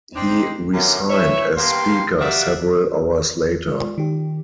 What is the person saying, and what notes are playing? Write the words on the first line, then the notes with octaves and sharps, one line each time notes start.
He resigned as Speaker several hours later.
C4 D4 D#4
F#2 D3 E3 F#3 A#3
E3 C#5 E5
G2 A#3 B3 F5 G5 C6
F#4 G4 A#4 D5 E5 F5
G#3 F4 D5
D#3 G4